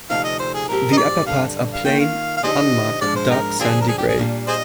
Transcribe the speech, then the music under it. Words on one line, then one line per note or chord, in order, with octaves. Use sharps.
The upper parts are plain, unmarked dark sandy-grey.
D2 C3 F3 C4 D#4 F5
D#5
C5
G#4
G#2 F3 C4 G4 A#4
D#5
D5
G2 D3 G3 F5
F5
D#3 A#3 F4 G5
F5
F5
D3 F3 C4 D#4 G4 G#4 C5 D#5
G#2 F3 G#3 D4 D5
C5
D#4 G4 A#4
G2 D3 F3 C4 F4 G#4
A#4
G#4
G4
G#4
A#2 G3 D4 F4
G#4 C5 D#5